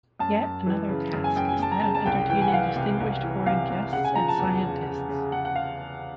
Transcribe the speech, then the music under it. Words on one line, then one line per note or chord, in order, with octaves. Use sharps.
Yet another task is that of entertaining distinguished foreign guests and scientists.
F#2 A5
F#2
E3
C#3
F#2
G#5
F#2 G5
G#5
F#2 A5
A#5
C#3 A5
A5
C2 G5
G5
E3 G5
G#5
F#5
E3 F5
C3
C2
E3
C3 F5
C3
C#3 F#5
G#5
F3 A#5
A5
E2
C#3
C#3
C#3
C#3 F#5
F#5
F5